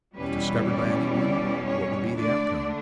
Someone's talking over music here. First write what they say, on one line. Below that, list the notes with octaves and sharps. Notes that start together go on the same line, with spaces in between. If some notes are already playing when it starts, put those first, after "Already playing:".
If discovered by any one, what would be the outcome?
E2 B2 G3 C#4 E4 B4
D5
D5
C#5
D3 A3 D4 D5